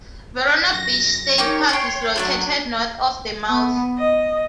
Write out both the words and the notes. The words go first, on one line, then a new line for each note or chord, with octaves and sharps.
Verona Beach State Park is located north of the mouth.
F#2 A#6
A#3 C#4 D#4 G4 C#5
C#5 G5 C6 C#6
F#3 A3 D4 F4
B3
D#5